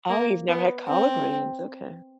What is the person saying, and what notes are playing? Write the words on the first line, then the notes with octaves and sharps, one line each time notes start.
Oh, you've never had collard greens. Okay.
A#3
B3
C4